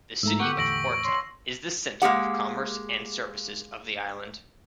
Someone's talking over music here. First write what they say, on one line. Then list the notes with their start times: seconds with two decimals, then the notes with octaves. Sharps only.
The city of Horta is the centre of commerce and services of the island.
0.23 G#2 A3 A#5 E6
0.40 D3 B3 G4 F#5 C#6
0.58 E2 A2 C#6 E6 A#6 D7 F#7
1.04 C#5 C6
2.02 G#3 A#3 G4 F#5